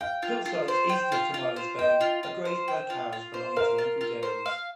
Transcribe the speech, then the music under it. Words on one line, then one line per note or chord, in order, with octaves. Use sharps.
Hillsides east of Tomales Bay are grazed by cows belonging to local dairies.
F5 G5
F4
F4
C5
G5
F4
F4
C5
D#5 G5
F4
F4
C5
G5
F4
F4
C5
A#4 F5
F4
F4
C5
F5